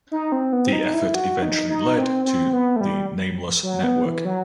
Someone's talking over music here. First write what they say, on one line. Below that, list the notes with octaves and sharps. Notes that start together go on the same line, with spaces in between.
The effort eventually led to the Nameless Network.
D#4
C4
B3
C4
D#4
E4
F#4
D#4
D#4
C4
C4
B3
A3
G3
F#3
B3
E3
F#3